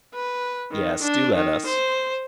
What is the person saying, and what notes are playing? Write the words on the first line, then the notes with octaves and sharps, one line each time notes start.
"Yes, do let us."
B4
D#3
D4
D#3
C5